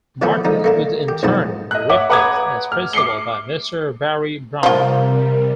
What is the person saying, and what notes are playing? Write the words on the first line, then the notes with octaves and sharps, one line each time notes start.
Martin would in turn be replaced as principal by Mr. Barry Brownlee.
D3 E3 F3 A3 B3 E4
D3 F3 D#4
A3 A#3 D4
G4
B1 G#2 F3 B3 A5
D#5 F#6
C#5 E5 F#5 D6
B4 F#5 A#5 D6 D#6 G#6
F6
D6 C7 C#7 G7
C3 F3 G3 F4 A#4